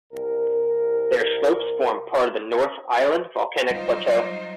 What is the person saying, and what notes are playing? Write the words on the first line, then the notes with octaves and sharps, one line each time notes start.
Their slopes form part of the North Island Volcanic Plateau.
C2 A#4
F#3 G3 D#4 F4 C5 D#5